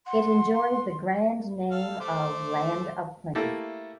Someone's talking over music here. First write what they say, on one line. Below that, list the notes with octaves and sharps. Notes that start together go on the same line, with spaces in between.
It enjoys the grand name of "Land of Plenty".
F#5 C6
A4 F5
A3 C5 D6
A3 A#3 E4 G4 A4